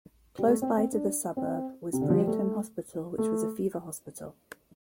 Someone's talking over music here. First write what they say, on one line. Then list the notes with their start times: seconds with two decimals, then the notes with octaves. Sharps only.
Close by to the suburb, was "Brierton Hospital" which was a fever hospital.
0.38 G3
0.48 A3
0.62 C4
0.78 C4
0.93 D4
1.37 C4
1.93 C3
2.01 D3
2.10 F3
2.19 G3
2.27 A3
3.18 A3